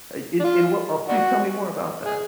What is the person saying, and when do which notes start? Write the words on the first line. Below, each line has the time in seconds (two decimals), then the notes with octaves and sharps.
Uh, in in wha uh, please tell me more about that.
0.40 D4
0.44 F4
1.08 D4 F#4
2.05 G#4